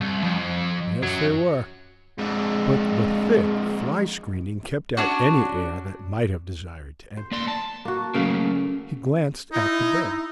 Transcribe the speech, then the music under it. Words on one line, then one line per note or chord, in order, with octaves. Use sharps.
Yes, they were; but the thick fly-screening kept out any air that might have desired to enter. He glanced at the bed.
C2
F2
F#2 F#3
F2 D3 G#3
C#4 D4 F#4
C5
A#3 D5 C6
A5
A#3 F#4
C#3 F#3 A3 A#3 F5
D#4 E4